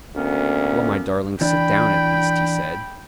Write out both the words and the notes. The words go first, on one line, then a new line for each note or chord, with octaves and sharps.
"Well, my darling, sit down, at least," he said.
D2 A#3 B3 C#4
E3 D4 G5 B5